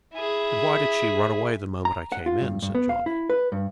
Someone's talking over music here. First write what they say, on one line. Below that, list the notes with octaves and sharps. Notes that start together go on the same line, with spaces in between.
"Then why did she run away the moment I came in?" said Johnny.
E4 G#4
A#5
F#5
F4
G2
G2
B3
F5
E4
B4
G2